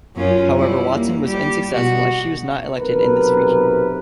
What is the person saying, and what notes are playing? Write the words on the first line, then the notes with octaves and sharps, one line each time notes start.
However, Watson was unsuccessful as she was not elected in this region.
F#2 C#4 F4
G3 E4
A#3
G3 G4
B2 F#4
B1 C3 A#4 B4